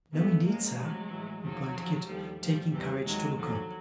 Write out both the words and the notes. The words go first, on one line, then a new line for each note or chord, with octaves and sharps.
'No indeed, sir,' replied Kit, taking courage to look up.
E2 C#3 E3 A3 B3
F#2 C#3 F3 G#3 A#3
D2 C3 F3 F#3 G#3
A2 E3
D#2 C#3 F3 F#3
F2 C#3 F3
D#2 D3 F3 G3
A2 F3 G3
E2 C3 E3 G3
D#2 D#3 F#3 G#3
D#2 D3 F3 F#3